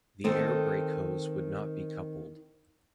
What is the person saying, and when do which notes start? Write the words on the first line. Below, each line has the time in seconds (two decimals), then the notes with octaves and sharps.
The air brake hose would not be coupled.
0.24 D#3 C4 A4